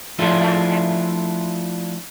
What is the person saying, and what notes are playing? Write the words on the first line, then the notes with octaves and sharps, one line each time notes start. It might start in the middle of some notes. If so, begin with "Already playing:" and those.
And that and
F3 A3 D4 E4 F4